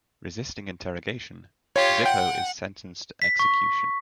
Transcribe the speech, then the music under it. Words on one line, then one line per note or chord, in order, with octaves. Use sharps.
Resisting interrogation, Zippo is sentenced to execution.
F4 G4 C#5
F#5 G5
B6
C#6